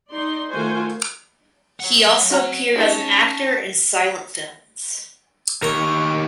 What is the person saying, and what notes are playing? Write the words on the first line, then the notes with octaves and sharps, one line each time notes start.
He also appeared as an actor in silent films.
D#4 D5 C6
D#3 A3 F4 F#4 C5 G#5
C#5 F#5
C4 F#4 A#5
C4 C#4 D#4 G#4 A5
D#2 A#4 C#5